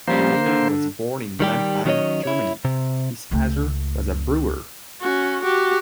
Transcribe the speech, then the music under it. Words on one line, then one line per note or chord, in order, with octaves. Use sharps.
Mayer was born in Mannheim, Germany; his father was a brewer.
F2 G3 A#3 C#4 C5
D3
D#3 G3 G4
D#3 F#3 C#4 G4 C#5 D#5
E4 C#5
C3
C#2 A3
C#4 F#4
F#4 G4